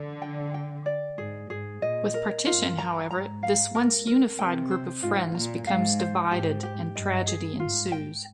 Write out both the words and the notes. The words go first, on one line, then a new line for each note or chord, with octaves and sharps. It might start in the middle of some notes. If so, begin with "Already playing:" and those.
With partition, however, this once unified group of friends becomes divided and tragedy ensues.
Already playing: D3
G5
G5
D5
G#2 G#4
G#2 G#4
A#2 D#5
A#4
G2 F4
A#5
G#2 A#5
F5
A#4
A#4
C3 G5
C5
G#2 F4
A#2 A#5
G#2 F5
C5
G#2 G4
G4
G2 D#5
G#4
G#2 F4
G5